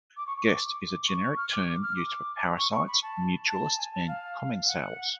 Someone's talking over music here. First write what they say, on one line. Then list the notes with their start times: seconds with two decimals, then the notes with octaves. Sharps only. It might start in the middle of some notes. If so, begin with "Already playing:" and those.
Guest is the generic term used for parasites, mutualists and commensals.
0.17 D6
0.26 C#6
0.37 C#6
0.47 D6
1.07 C#6
1.37 F6
1.52 D6
1.67 D6
1.82 F6
1.97 D6
2.57 C#6
2.72 C#6
2.88 B5
3.02 A5
3.47 A5
3.77 G#5
3.92 A5
4.08 F5
4.67 F#5